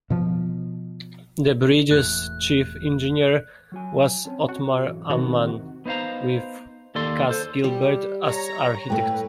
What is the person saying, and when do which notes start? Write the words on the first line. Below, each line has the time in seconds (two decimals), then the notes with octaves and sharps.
The bridge's chief engineer was Othmar Ammann, with Cass Gilbert as architect.
0.10 B2 F3
1.91 E1 E2 A2 F#6
3.72 F#3 F#4 G#5
4.25 C4 C#4 A5
4.49 F#4
4.85 B1 G#2 E3
5.10 C3 D#3 F#4
5.52 E2
5.86 B3 D#4 C5 F5 A#5
6.95 D#2 A4 D5 C6
7.29 A4 C5
7.64 G3
8.23 C#5 A#5
8.90 A2 A3 B4 G5